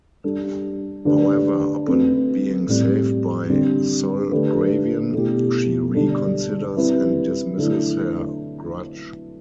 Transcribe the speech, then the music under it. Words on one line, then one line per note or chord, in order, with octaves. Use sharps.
However, upon being saved by Sol Gravion, she reconsiders and dismisses her grudge.
G3 D4 A4
D3 A3 D4 G4 B4
A3 C4 F#4 B4
A2 G3 C4
D3 G3 C4
D3 A3 D4 G4 B4
B2 A3 E4 G4
D3 G3 D4 A4
G3 C4 E4 B4
D3 F#3 A3 E4